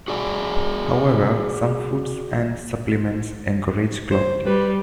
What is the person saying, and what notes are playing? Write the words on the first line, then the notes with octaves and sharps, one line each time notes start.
However, some foods and supplements encourage clotting.
F#4 G#4 D5 G5 G#5
C5
G3 B4